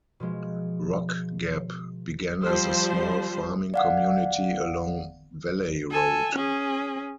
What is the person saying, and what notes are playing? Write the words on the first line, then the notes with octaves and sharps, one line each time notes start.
Rock Gap began as a small farming community along Valley Road.
B2 F3 G#3
F3 G3 C5
D5 F5 F#5
A4 G#5
C#4 G#4